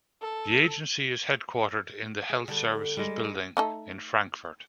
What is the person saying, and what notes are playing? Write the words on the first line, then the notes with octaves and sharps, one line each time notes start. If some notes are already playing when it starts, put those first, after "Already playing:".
The agency is headquartered in the Health Services Building in Frankfort.
A4
G#4
D3 G3 A4
G3 G#3
A3 D#4 A4